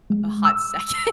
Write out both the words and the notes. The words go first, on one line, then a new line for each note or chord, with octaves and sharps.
a hot second,
G#3
E6